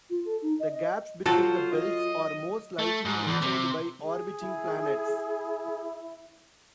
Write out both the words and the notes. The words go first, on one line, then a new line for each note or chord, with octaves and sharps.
The gaps between the belts are most likely maintained by orbiting planets.
F4
A4
D#4
D#5
D#5
F#3 F4 F#4 A4 C5
D#5
A3
G#2
E2
C3
G#4
E4